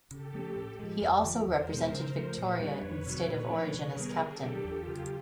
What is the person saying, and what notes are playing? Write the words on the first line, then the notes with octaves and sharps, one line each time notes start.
He also represented Victoria in State of Origin as captain.
C#3 G4 A4
F3 A3 C#4
A2
F3 G#3
F2
D3 F3
E2 A#4 C5
B2 G#3
C#3
F3 A3
A#2 B4 C#5
G3 B3 D4
F2 B4 C#5
C3 D#3 F#3
A#2 B4 C#5
F3 A3 D4
C3 G#4 A#4
D#3 G3 B3
D3 G4 A4
F#3 B3 D4
E2 F4 G4
C#3 F#3